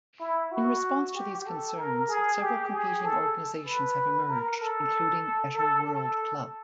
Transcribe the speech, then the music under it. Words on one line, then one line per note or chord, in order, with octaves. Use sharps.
In response to these concerns, several competing organizations have emerged, including Better World Club.
E4
F#4
G4
A4
A#4
G#4
G4
G#4
A4
B4
A#4
A4
A4
A4